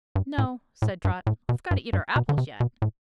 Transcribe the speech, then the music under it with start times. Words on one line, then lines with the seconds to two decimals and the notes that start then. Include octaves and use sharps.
"No," said Trot; "we've got to eat our apples yet."
0.16 G2
0.38 A2
0.82 A2
1.05 G2
1.27 A2
1.49 B2
1.71 G2
1.93 G2
2.16 B2
2.29 D3
2.38 C3
2.60 B2
2.82 A2